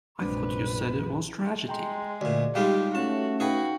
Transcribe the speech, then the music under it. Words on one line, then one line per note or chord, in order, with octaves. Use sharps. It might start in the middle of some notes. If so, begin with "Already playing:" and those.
I thought you said it was a tragedy.
A#1 F#2 C3 G#3 D4 B4
G#3 G5 A#5 C6
D2 A#2 D5
G3 G#3 D#4 F4 G4 F5
A3 C#4 F#4 A5
D#4 F#4 G#4 B4 F5 G5